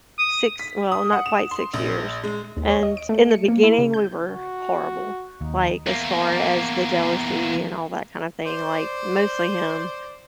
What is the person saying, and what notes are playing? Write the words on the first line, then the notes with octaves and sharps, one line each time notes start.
six well, not quite six years, and in the beginning, we were horrible, like, as far as the jealousy and all that kind of thing, like, mostly him,
D#6
B6
D#6
F#5
E7
C6
A#1
G#3
D#2
C#5
D#5
D7
A3
C#7
A#3
E4
C#3
G6
F#4
D#2 D#4
E2 A#3
C5 D5